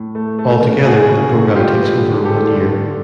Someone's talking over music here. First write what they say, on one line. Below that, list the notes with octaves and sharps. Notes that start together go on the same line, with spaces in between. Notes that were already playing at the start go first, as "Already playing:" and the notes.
All together the program takes over one year.
Already playing: A2
A3
A3
C#3
A3 F#4 G#4
C#3
A3
G3 F4 G4
B3
D3
D3 G4 A4
D3
D3